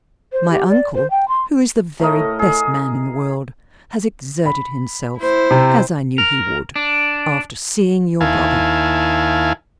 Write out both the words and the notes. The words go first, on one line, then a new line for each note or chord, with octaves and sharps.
My uncle, who is the very best man in the world, has exerted himself, as I knew he would, after seeing your brother.
C5
G4
D5
C5
G5
C6
A2 A3 A#4 D#5
G#4
B5
E4 C5
C3
A#4
D4
D#2 E4 F5 G#5 A5